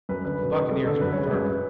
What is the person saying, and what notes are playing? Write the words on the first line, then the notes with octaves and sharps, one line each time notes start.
The buccaneers were firm.
F#2 B4
D3 B4
F#2
G#3 B4
F#2 A4
D3 A4
F#2 B4
G#3 C#5
B4
F#2